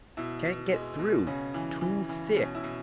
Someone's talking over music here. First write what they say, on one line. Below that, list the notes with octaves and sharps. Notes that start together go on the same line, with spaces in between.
"Can't get through--too thick!"
B2 E4
B2
G#3
B2
C#3 C#4
E3
E3
E3
B2 C#4
E4
B2